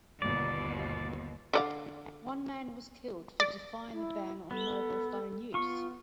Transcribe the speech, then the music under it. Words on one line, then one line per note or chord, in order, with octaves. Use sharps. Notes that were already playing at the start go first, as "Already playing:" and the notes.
One man was killed for defying the ban on mobile phone use.
G1 D#2 B2 D5
D3 D5 F5
D5
E4
B3 A4
B3 F4 C#6